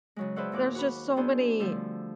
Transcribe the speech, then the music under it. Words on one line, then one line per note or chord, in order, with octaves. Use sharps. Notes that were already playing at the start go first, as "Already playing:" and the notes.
there's just so many
C#3 F#3 G#3
G#4 B4 C5 D5 E5 F#5
D#2 A#2 D6 F#6
F#4 B5
B3 D4 E4 G#4 C5 D5
D3 F3 G3 A3